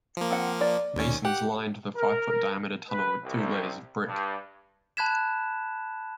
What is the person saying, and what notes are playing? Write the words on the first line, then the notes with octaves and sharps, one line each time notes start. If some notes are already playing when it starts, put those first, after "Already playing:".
Masons lined the five-foot-diameter tunnel with two layers of brick.
F3 A#3
C4 F#5
D5
D#2 C#4
G4 F#5
A#4
B4
C2
G2
A5 B5 F#6 G#6 B6 E7